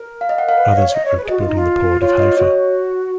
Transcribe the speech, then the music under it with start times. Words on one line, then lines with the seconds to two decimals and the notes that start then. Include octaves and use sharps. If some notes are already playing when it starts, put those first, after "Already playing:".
Others worked building the Port of Haifa.
Already playing: A#4
0.21 F5
0.29 D#5
0.38 F#5
0.46 A#4 F5
0.57 B4
0.70 D#5
0.76 C#5
0.88 C#5
0.93 D#5
1.05 C#5
1.17 B4
1.24 G#4
1.29 F#4 D#5
1.39 F4
1.47 D#4
1.56 F4
2.01 F4 C#5
2.19 D#5
2.37 F#4 C#5